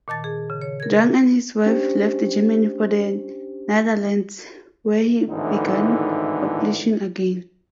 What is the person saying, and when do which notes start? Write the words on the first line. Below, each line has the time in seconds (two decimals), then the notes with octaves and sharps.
Jung and his wife left Germany for the Netherlands, where he began publishing again.
0.08 A#2 D#3 A5 A6
0.24 G#4
0.50 C#3
0.62 C#5
0.80 A#4 G#6
1.66 C#4 D4 G4 C5
5.28 G#1 A2 D3 E3 D#4